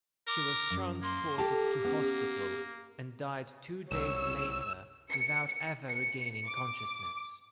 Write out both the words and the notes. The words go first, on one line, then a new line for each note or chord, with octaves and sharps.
He was transported to hospital and died two days later without ever regaining consciousness.
A#4 D6
F#2
A#3 C6
G4 A4 G5 A5
B3 C#4
C2 C#5 E6
C#7
C#7
D6